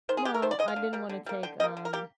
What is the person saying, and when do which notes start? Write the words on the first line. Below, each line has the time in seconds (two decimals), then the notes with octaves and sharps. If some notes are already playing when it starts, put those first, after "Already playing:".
Well, I didn't wanna take, um,
0.09 D#3 C5
0.17 G#4
0.25 G#3 G4
0.34 A#4
0.42 D#3 C5
0.51 D5
0.59 G#3 D#5
0.68 F5
0.76 D3
0.93 G3 A#3
1.09 D3
1.26 G3 A#3
1.43 D3 G5
1.60 G3 A#3 D#5
1.77 D3
1.85 A#4
1.93 G3 A#3 G4